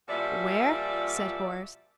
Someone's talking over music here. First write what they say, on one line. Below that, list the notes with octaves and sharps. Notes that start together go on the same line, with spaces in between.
"Where?" said Horace.
A#2 F3 G3 F#4 D5 E5